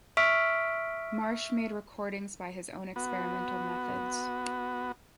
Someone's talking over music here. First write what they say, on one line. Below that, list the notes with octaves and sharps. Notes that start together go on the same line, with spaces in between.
Marsh made recordings by his own experimental methods.
E5 C#6 E6 F6 B6 D7
B3 F#4